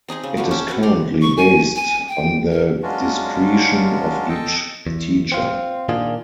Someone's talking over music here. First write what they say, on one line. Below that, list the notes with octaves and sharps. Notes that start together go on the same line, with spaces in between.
It is currently based on the discretion of each teacher.
C4 D#4 G#4 D#5
C#3
D3 F3 F#4 B4
C#4 E5 G5
C4 F#4 B4
G4 D5 A#5 C6
C#6
G#5
G#5
G5
A#4
F#3 G#3 C#4 D4 F4 F#4
A4 D#5 G5 A5
E2
C4 F4
A#2 D#3 A#3 D4 F4 G#4